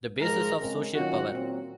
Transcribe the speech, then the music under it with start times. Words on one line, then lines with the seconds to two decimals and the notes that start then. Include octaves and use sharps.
The bases of social power.
0.21 G#2 F3 G#3 A#4
0.58 C#3 G#3 C4
0.94 D#3 F#3 C#4 F4 F#4
1.30 A#2 F#3 C4 F#4